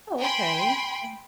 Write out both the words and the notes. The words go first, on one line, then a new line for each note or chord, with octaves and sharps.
Oh, okay. Um
G5 G#5 B5 C6